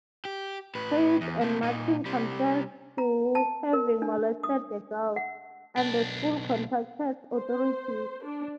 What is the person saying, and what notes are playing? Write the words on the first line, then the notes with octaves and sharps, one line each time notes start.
Geis and Martin confessed to having molested the girl, and the school contacted authorities.
G4
A2 B4
E2
C3 A3
A#2 D#4
C3 G3
A#5
A5
A#4
D4
D#6
F#5
B1 D4
C5
D4